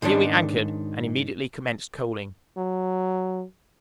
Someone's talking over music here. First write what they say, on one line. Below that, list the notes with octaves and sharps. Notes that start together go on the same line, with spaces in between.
Here we anchored, and immediately commenced coaling.
G#2 D#3 C#4 D4
F#3